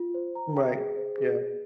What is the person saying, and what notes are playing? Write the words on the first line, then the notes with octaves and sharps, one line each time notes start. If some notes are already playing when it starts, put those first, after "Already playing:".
Right, yeah.
Already playing: F4
C5
A#5
G5
G#4
C5
G#4
G#4